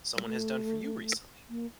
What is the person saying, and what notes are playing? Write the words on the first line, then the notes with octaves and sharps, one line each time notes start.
someone has done for you recently?
G3
A3
A#3